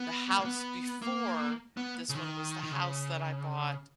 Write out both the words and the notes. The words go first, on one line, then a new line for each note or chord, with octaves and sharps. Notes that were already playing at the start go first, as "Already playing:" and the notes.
the house before this one was the house that I bought,
Already playing: B3
A#3
B3
A#3
B3
C#3
D#3
D#3
C#3